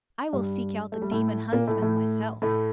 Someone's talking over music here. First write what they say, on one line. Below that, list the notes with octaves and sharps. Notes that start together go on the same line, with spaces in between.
"I will seek out the demon huntsman myself."
G2 G3
A3
G3
A2 A3
A#2 A#3
A2 A3
A2 A3
A2 A3